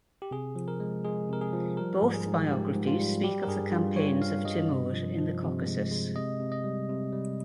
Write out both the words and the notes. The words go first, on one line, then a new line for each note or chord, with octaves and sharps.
Both biographies speak of the campaigns of Timur in the Caucasus.
G4
C3 G#4
F3
A#4
G#3
G#3 G#4
C3 A#4
G#4
F3
G3 A#4
G#2
G#4
G#2
G#2 G4
G#2
F4
G3
G3 G4
A#4
G2 G#4
G2 F4
G2 C#5
G2 F5
G2 D#5
C3
F3
F3
C3
G#3
G#3
C3 D#5
C3
D#5
G3
C3
G3